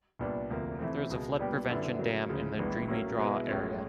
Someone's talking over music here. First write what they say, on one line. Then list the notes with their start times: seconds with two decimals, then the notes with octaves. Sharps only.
There is a flood prevention dam in the "Dreamy Draw" area.
0.19 C2 A#2 G3 B3 D4
0.50 E1 D2 C3 F3 A#3
0.79 C3 E3 A3 C4
1.10 C#2 B2 G#3
1.39 A#2 G3 B3 D4 G4
1.68 F#2 D3 G3 B3 E4
1.98 C#3 F#3 A#3
2.29 D2 C#3 F3 G#3
2.59 A1 G2 E3 G#3 B3
2.88 A2 F#3 A#3 C#4
3.18 B2 G#3 B3 E4
3.48 A1 A2 F3 G#3 C#4